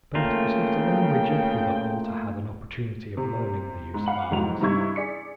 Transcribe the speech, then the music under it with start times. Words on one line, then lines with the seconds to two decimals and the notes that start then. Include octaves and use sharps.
But it was not alone with Geoffrey that Walter had an opportunity of learning the use of arms.
0.15 C#3 A3 A#3 F4 G5
3.17 C3
3.94 G#2
4.06 F5 F#5 B5 F#7
4.31 F1 G#2 E3 F#3 F7
4.61 G2 C3 D#4 E4 C#6 G#6
4.96 G#4 D5 B6 C#7